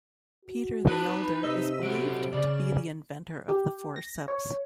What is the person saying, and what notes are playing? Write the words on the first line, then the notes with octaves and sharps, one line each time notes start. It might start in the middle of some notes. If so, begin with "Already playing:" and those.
Peter the Elder is believed to be the inventor of the forceps.
F#4
D#4 B4 A5 B5
C3 D#5 E6 B6
F#3 F#4 A4 D7
C#3 D5
G4
A#6
C#5